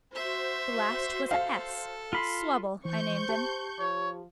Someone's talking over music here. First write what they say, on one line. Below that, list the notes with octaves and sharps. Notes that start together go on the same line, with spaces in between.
The last was a S,--Swubble, I named him.
F#4 C5 E5
A4 F5
F4 B5 C6
E3 C5 C#6 G6
G4 A5
F3 C#5